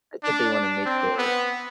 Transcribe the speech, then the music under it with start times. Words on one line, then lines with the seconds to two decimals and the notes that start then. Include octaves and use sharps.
I think they wanna make the
0.23 D4
0.54 D4
0.85 C4
1.18 B3